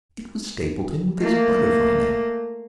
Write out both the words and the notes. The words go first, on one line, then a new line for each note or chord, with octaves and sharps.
It was Stapleton with his butterfly-net.
A3 A#3